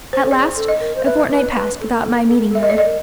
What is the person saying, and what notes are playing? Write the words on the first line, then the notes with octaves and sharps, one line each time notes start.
At last a fortnight passed without my meeting her.
C5
A4
G#4 D5
A4
D#5
A#4
C5
B4 E5
B4
B4
A4
A#4
A4
A#4
A4
A#4
A4
E5
A#4 D#5
D5
A4
D#5
A#4